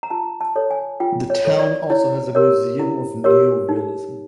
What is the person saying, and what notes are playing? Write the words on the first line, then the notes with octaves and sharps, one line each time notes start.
The town also has a Museum of Neo-Realism.
A#5
F4 A5
A5
A4 C#5
G#5
F4 G5
C#5
A4 C#5
D5
E4 C#5
G4 A#4 C#5
E4
G4 A#4 C#5
D#4